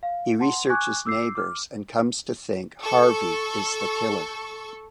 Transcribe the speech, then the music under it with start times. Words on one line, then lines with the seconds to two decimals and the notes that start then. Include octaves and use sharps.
He researches neighbors and comes to think Harvey is the killer.
0.03 F5
0.40 F#5 A5 C6
0.70 G#5 C#6 D6 F#6 G#6
1.05 D6 E6 G6 C7
1.35 D6 F6
2.81 A4 C#6